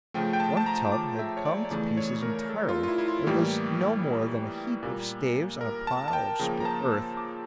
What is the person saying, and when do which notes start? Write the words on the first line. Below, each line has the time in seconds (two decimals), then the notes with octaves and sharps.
One tub had come to pieces entirely and was no more than a heap of staves on a pile of spilt earth.
0.14 C#3 F3 A3 G5
0.33 G5
0.40 A5
0.57 A5
0.66 A#5
0.92 D6
1.19 E5
1.37 C#5
1.45 D5
1.64 C#5
1.71 E2 C#3 E3 A3 D5
1.97 C#5
2.23 A#4
2.49 A4
2.69 F4
2.83 F4
2.88 E4
2.98 E4
3.08 F4
3.27 A2 E3 G3 A#3 G4
4.83 A#2 G3 A#3
5.61 A#4
5.87 A5
6.08 A5
6.13 G5
6.40 C#3 F3 A#3 G5
6.60 A#5
6.65 A5
6.92 E6
7.17 D6